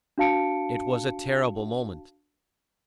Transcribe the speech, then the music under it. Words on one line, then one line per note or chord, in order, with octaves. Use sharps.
It was a terrible moment.
D4 F#4 F5 A5 C#7 D7